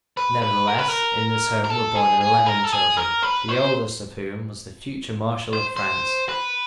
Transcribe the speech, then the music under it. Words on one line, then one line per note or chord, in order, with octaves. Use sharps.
Nevertheless in this home were born eleven children, the oldest of whom was the future Marshal of France.
B4
B4
A#4
B4
A#4
A#4
A4
G#4
G#4
A#4
A4
G#4
A#4
B4
C5
C5
C5
B4